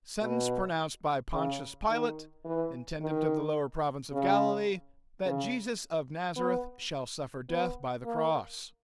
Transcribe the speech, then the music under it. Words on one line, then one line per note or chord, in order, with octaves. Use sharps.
Sentence pronounced by Pontius Pilate, intendent of the lower province of Galilee, that Jesus of Nazareth shall suffer death by the cross.
B2
C#3
D#3
E3
D#3
C#3
C#3
B3
B3
A#3